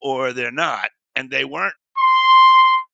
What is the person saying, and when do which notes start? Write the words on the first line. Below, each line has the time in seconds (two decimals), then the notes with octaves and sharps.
or they're not and they weren't.
1.98 C6